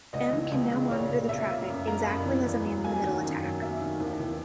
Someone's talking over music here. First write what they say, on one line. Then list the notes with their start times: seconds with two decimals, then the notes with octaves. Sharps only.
M can now monitor the traffic, exactly as in a man-in-the-middle attack.
0.13 C#2 D#5
0.32 E3
0.51 C#2
0.71 C#3
0.91 A#2 C#5
1.10 A#2
1.29 A#3 E5
1.49 A#3
1.67 F#2
1.87 A#3 A#5
2.07 F#2 B5
2.26 E3
2.45 E2
2.65 F#3
2.84 A#3 G#5
3.03 D#3
3.23 F#2
3.42 F#3
3.61 A#3 E5
3.81 D#3
4.00 D#2
4.19 E3